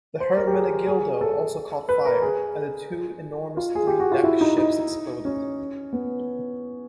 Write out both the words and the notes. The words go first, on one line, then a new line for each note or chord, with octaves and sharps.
The "Hermenegildo" also caught fire and the two enormous three-deck ships exploded.
C5
A#4
G4
G#4
G#4
A4
B4
A#4
G#4
F4
G#4
G4
F#4
F4
E4
D#4
D#4
C#4
B3